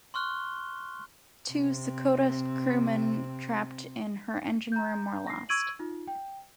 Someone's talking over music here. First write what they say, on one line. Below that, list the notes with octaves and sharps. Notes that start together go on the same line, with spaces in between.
Two "Secota" crewmen trapped in her engine room were lost.
C6 C#6 F6 F#6 G7
C3 C4
A#5 G6
A#6 C7
C#6 E6 G#6 D7 D#7 F#7
D#4 F4
G5